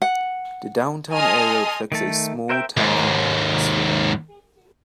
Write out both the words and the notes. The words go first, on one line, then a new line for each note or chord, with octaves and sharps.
The downtown area reflects a small-town atmosphere.
F#5
A4 D#5 G#5 C6 D#6 F6
D#3 A3 A5
A#4 C5 E5 G5
D#2 G#2